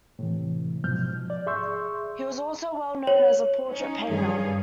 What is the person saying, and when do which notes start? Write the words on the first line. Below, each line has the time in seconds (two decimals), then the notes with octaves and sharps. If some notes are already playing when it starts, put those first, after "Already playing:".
He was also well known as a portrait painter.
0.19 A2 C3 E3
0.84 G#2 B2 F3 F6 G6
1.30 D5
1.46 G#4 E5 C6 C#6 E6 G6
3.07 C#5
3.70 C#4 D#4
4.07 G2 D#3 G3 C#4 G#4 F5